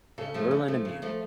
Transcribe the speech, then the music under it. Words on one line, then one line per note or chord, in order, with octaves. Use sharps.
Yeah, Berlin and Munich.
C#3 A4
F3 A3
C#3
F3 A3
C#3
F3 A3